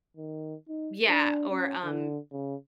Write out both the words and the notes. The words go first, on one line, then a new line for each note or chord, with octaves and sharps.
Yeah. Or, um
D#3
D#4
D4
C#4
D3
C#3